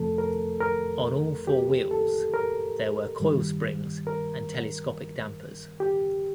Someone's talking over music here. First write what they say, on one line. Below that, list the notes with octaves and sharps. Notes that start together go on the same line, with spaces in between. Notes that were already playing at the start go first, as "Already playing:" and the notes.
On all four wheels there were coil springs and telescopic dampers.
Already playing: F2 C3 F3 A3 A4
A#4
A#4
G4
A4
A#4
G2 D#3 G3
A#4
G4